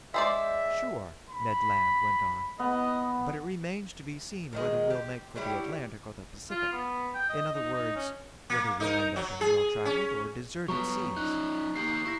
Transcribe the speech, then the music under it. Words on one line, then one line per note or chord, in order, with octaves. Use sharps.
"Sure," Ned Land went on, "but it remains to be seen whether we'll make for the Atlantic or the Pacific, in other words, whether we'll end up in well-traveled or deserted seas."
G#3 C5 D5 E5
B5
B3 D#5
D#3 F#3 G#3
G4 C5
F#3 G3 E4 G4
F4
B3
G5
D#5
D#4
D#4
C#4
A#3
D#4 A#4
F#3
G#4
C#4
F#3 G3 B3 A#5 C#6
C#4 D#4 F#6
A#3 D#4 G4 C7
E4 C#6 A#6